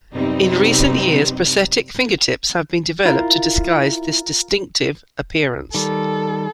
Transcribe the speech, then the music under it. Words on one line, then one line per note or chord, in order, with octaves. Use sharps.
In recent years, prosthetic fingertips have been developed to disguise this distinctive appearance.
F#2 C3 G3 B3 C4 D#4
E4 F4 A#4
D#3 G3 A4